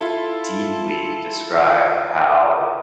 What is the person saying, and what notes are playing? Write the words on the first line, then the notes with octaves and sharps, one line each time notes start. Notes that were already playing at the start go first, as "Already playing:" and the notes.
deeply described how,
E4 F4 A4